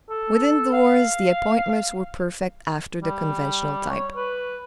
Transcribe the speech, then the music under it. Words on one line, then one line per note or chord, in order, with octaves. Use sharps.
Within doors the appointments were perfect after the conventional type.
A4
F5
G3
C#5
B4